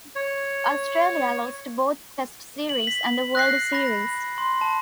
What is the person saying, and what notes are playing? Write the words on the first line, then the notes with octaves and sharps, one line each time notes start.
Australia lost both Test series and the World Series.
C#5
F#7
B6
F#6 A#6 C7
B5 A#6
C6
A5